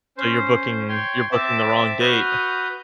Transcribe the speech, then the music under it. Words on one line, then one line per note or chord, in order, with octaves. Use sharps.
So, you're booking you're booking the wrong date.
C#4 C5
C#5 G5 C6
C4 E5 A5 D6
F#4 B4 D#6 F6 G6